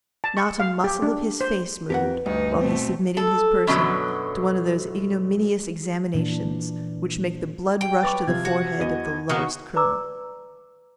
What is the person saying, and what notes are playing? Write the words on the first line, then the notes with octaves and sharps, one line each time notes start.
Not a muscle of his face moved while he submitted his person to one of those ignominous examinations which make the blood rush to the forehead of the lowest criminal.
A5
C#6
F5
G4
D4
C5
F2 G4 A#4 B4 F#5
D2 G2 D#4
B2 A3 C4
A4
F#2 B2 D3 F#3
A#2 E3 D4
G5
B4 C#6 D6 A6
C3 F3 F4 G#6
F#4
E2 D#5 D#7
C#3 A#3 B3 D#4 F#4 C#6
B4 D5 A#5 D6 E6